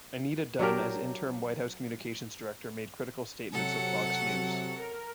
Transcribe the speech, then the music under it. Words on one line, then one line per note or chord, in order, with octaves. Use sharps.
Anita Dunn, as interim White House Communications Director, made critical statements of Fox News.
F#3 D4 G4 A#4
C3 F#3 A4 F#5
A#4